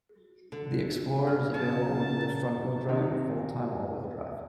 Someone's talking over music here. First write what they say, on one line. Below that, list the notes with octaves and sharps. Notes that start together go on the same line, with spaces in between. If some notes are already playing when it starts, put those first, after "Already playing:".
The Explorer is available in either front-wheel drive or full-time all-wheel drive.
D3
G2 F6
C#3 A5
A#5
C3 D#3